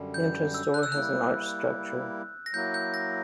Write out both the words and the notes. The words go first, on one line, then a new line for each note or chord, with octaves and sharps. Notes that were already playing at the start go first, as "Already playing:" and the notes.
The entrance door has an arched structure.
Already playing: F#2 D3 G3
G6
E6
F#6
E6
G3 A#3 E4 F#6
A#6
F#3 A#3 E4 G6
G6
A#6